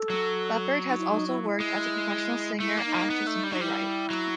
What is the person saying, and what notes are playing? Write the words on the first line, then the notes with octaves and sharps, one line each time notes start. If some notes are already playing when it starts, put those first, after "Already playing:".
Leppard has also worked as a professional singer, actress, and playwright.
Already playing: A4
F#3
D#4
E4
D#4
E4
E4
G#3
A3 E4
A#3
D#4
A#3
B3
A3
G3
F#3 D#4
G3 E4
F#3